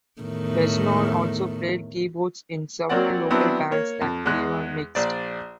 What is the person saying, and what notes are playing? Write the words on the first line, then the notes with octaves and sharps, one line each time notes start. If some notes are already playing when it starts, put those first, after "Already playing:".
Reznor also played keyboards in several local bands that Beavan mixed.
E2 A2 D#3
F#3 A#3 C4 C#5 D5 F#5
F#3 B3 C4 D4 E4
A#3 C#5
F2
E2 G#3 F#6
A#1 C5 D5